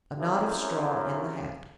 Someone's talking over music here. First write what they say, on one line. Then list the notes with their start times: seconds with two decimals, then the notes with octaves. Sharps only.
"A knot of straw in the hat."
0.17 C2 F#2 C#3